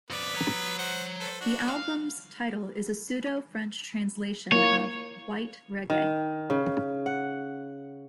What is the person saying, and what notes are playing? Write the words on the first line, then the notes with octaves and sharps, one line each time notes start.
The album's title is a pseudo-French translation of "white reggae".
F2 B3 B4 D5
C#5 A#5
C5 F#5
A4 B4 C5
D4 F#4
F5
A#3 E4 C#5
D#3
C#3
F#5